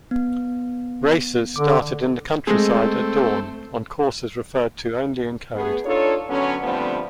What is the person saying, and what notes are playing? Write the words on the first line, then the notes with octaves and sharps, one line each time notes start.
Races started in the countryside at dawn on courses referred to only in code.
B3
D3 D6
G#3 A3 C4 G#4
A3 B3 G#4
D4 D#4 F4 A4 C#5
D3 F#3 B3 C#4
D3 F3 G3 A3 B3 C4